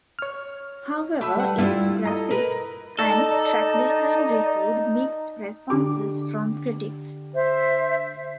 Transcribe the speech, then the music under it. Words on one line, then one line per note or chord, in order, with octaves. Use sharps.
However, its graphics, and track design received mixed responses from critics.
C#5 F6
A3 E5 B5 E6
G3 B4 F#5
G2 G3 E4 F4 E5
A4 D#5 A#5
A#4 B4
D#4 A4 D5 A5 A#5
D3 G4 D6
C5 E5